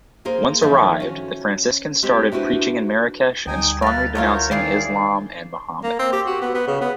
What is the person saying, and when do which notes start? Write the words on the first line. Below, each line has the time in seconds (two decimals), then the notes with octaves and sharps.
Once arrived, the Franciscans started preaching in Marrakesh and strongly denouncing Islam and Muhammad.
0.25 A#3 G#4 A#4 C5
0.62 D#3 F3 A4 C5 E5
1.00 C#4 F#4
2.03 G#3 C4 G4 C5
2.32 D4 E4 F#4 A4 B4 C5
3.47 D2 G3 D#4 G5 G#5 D#6
3.82 A#3 B4 E5 F6 A6
4.15 B2 A3 E4 F4 A#4 C#5
4.32 G6
4.51 D#3 C4 E4 G#4 D5 F5
5.83 A#3
5.99 C4
6.13 G4
6.27 F#4
6.42 B3
6.54 B3
6.67 C#3
6.81 B3